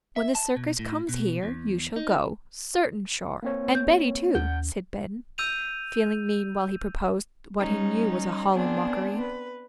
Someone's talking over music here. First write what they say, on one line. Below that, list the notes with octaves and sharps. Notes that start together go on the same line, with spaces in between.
"When the circus comes here you shall go, certain sure, and Betty too," said Ben, feeling mean while he proposed what he knew was a hollow mockery.
E5
A5
B2
A2
B2
E2
D#4
A#3 C4 C#5
G6
D#2 F#5 G6
E6 G6 D#7 F7
G3 C#4 D#4
B3 C4 D4 G#4
B4